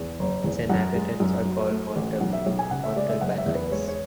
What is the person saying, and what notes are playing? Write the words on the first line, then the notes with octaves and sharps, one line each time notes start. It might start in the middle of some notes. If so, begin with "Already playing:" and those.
Its inhabitants are called "Montalbanais".
Already playing: E2
F#1
E2
F#2 F#5
G#3
F#2
F#3
A3
A1
B1 F#5
E5
B1 C#5
G#5
C#3 F#5
E5
G#3 D5
E5
F#1 F#5
E5
E2
B4
G#3 C#5
C#5